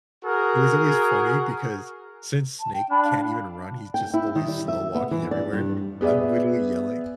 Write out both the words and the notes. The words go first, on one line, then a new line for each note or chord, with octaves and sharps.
it was always funny because since Snake can't even run, he's just always slow walking everywhere. I'm literally yelling
F#4 G#4 A#4
A5
G5
D4 B5
F5
G5
E4
D#3
G3
E5
B3
E3
D5
G2
B3 G#4 B4 D5 E5